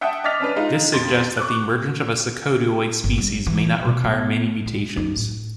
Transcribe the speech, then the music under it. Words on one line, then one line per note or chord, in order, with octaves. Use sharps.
This suggests that the emergence of a secotioid species may not require many mutations.
E5 F#5 G5 A5 D#6
D#5 D6 F6 A6 B6 F7
C#4 D4 B4
G#3 D#4 F4
F2 C6 A6
C#6 D6 F#6
G1
G2
E3
B2
B3
A3
D#4
A2